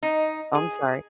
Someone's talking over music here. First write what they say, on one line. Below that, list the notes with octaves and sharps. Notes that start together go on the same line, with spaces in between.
Oh, I'm sorry.
D#4
G#4